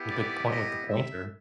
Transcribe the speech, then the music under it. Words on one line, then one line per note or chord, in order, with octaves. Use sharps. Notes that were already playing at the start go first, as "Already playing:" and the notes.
Good point with the pointer.
Already playing: B3 E4 G4
D5
D#5
E5